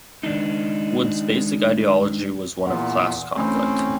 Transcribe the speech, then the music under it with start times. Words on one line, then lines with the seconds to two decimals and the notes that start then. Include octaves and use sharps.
Wood's basic ideology was one of class conflict.
0.23 D#3 G#3 D4 D#4
2.66 E2 A#2 A#4 F#5
3.36 D2 E3 C4 C#4 G6